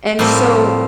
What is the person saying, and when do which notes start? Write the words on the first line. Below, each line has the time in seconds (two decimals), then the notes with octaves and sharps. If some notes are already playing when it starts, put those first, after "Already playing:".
And, so
0.19 A2 F3 G3 A#3 C4